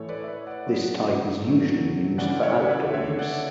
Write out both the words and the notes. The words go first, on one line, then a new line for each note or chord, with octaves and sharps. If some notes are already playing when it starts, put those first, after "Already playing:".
This type is usually used for outdoor use.
Already playing: A2 E3 A3 A4 C#5
B4 D5
E5
B4 D5
D5 F#5
C#3 F#3 B3
C#3 F#3 A3
C#3 E3 A3 D5 F#5
C#5 E5
B4 D5
D3 A3 C#5 E5
D5 F#5